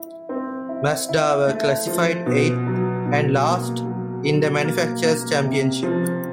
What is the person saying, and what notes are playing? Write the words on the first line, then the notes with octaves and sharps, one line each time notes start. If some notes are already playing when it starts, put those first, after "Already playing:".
Mazda were classified eighth, and last, in the manufacturer's championship.
Already playing: E4
C4
E4
E4
A3
F3
B2
F#3
B2
A#3
F#3
F#3
A#3
A#3
C3
F3